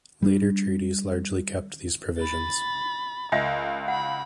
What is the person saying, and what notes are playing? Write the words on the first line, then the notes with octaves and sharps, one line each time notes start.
Later treaties largely kept these provisions.
G3 A#3 D4
B5 A6
C#2 A#4 D#5 E5 G#5
F#5 B5